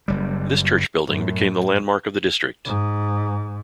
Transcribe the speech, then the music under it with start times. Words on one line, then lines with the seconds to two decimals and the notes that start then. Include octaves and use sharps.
This church building became the landmark of the district.
0.08 F#1 G3
1.07 F#2 A2
2.65 G#2